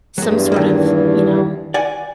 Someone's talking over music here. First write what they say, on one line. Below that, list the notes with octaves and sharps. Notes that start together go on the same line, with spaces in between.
some sort of, you know
E2 G2 F#3 G#3
D#3 A3 A#3
D5 F#5 G#5